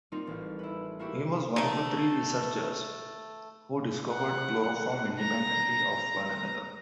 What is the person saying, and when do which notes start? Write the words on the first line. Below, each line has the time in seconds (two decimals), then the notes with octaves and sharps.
He was one of three researchers who discovered chloroform independently of one another.
0.12 G3 A#3 C4 D#4 F4
0.27 A1
0.59 E4 B4
0.99 A#3 E4 F#4 G4
1.56 D#3 A3
4.12 F#5
5.19 A#5